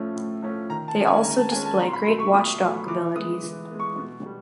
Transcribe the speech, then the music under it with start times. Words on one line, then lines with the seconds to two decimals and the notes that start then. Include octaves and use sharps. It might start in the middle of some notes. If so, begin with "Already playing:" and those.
They also display great watchdog abilities.
Already playing: A2 F3 A3 C#4
0.16 A2
0.43 F3 A3 C#4
0.70 D#3 A#5
0.88 A5
0.97 G#3 C#4
1.07 G#5
1.24 D#3 A#5
1.38 A5
1.52 G#3 C#4 G#5
1.66 A5
1.79 B2 A#5
1.88 C6
1.93 B5
2.06 F#3 A3 C6
2.20 C#6
2.33 B2 D#6
2.62 F#3 A3
2.88 E3 D6
3.16 G#3 B3 D#6
3.43 E3
3.71 G#3 B3
3.80 C#6
3.98 B2
4.26 G3